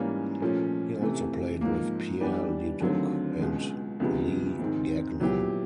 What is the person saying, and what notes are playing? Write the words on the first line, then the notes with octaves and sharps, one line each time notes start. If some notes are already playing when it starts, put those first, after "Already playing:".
He also played with Pierre Leduc and Lee Gagnon.
Already playing: G#2 E3 G3 A#3 C#4
A#2 F3 A3 C#4
C3 E3 A3
G#2 F3 A#3
E3 G3 B3 D4 G4
D#2 D3 F#3 A3 C4
C#2 B2 G#3
D2 C3 F3 G#3 B3
G#2 D#3 G#3 C4
A#2 F#3 B3 E4 G4